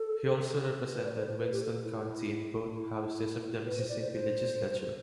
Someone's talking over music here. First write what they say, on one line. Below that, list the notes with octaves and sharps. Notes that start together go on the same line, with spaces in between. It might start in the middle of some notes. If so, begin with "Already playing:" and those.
He also represented Winston County in both houses of the Mississippi Legislature.
Already playing: A4
B4
D5
B4
C5
C5
B4
G4
A4
E4
E4
B4
C5
D5
C5
C5